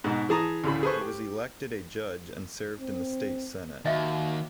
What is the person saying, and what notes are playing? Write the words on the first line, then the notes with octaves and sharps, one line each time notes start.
He was elected a judge and served in the state senate.
G#2 B2 D#4
E3 G#4 A5 A#5 D#6
D2 A2 C#3 B5
G#4 A4 B4 C5 C#6
G4
C4
D#2 F#4 D#5 E5